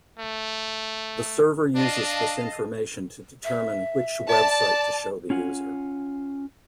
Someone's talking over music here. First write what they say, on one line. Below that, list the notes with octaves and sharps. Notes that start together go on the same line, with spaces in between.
The server uses this information to determine which website to show the user.
A3
D4 D#5 F5 A5
E5
D5 A5
C#4 F4 F#5 G#5